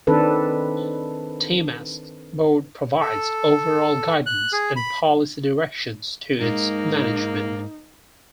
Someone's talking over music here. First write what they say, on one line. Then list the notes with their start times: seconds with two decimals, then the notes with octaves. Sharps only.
Temasek's Board provides overall guidance and policy directions to its management.
0.07 D#3 C4 D4 A4 B4
3.01 A4
4.26 F#6
4.53 G#4
4.76 B5
6.41 G#2 G#3 A#3 D#4